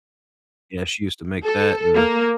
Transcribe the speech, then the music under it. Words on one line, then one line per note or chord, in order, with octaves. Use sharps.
Yeah, she used to make that, and the,
A4
A#3